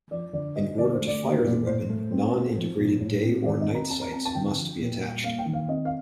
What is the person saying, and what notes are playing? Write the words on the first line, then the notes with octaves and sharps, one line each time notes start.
In order to fire the weapon, non-integrated day or night sights must be attached.
F3 D5
D3 D5
G3 D#5
D3 D5
C5
A3
D5
A#3
A#2
A2 C5
A3
C4
C4
F3
A#2
A2
C4
D#3 D5
D#5
C4
A#5
C4 A5
A#5
C4 A5
A5
D3 G5
F3
A#2
G3
A#3 F5
G5
D#3
F5
C4 D#5
F5